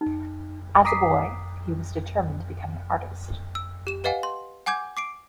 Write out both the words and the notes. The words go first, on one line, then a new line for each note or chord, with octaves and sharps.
As a boy, he was determined to become an artist.
D#4
A#5 D6 D#6 B6 C7
E6
G4 E7
G4 B4 D#5 F5 F#5 G#5
C6
F#5 G#5 D6 G6 G#6
D6 C7 D7